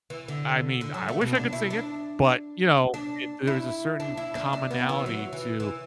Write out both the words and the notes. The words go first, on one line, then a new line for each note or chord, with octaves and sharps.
I mean I wish I could sing it, but, you know, it there's a certain commonality to
E3
D3
D3
F#3
A3
B2
D4
E4
D4
D4
E4
D4
E4
D4
D4
B3
E3
F#3
E3
E3